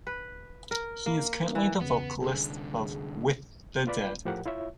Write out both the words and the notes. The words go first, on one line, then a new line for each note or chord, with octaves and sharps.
He is currently the vocalist of With the Dead.
B4
A#4
A#3
E3
E2 C#3 B3
C2 D3 G#4
F4 B4 D5 B5
A2 F3 G4 A#4 F#5
E4 F4 C#5 E5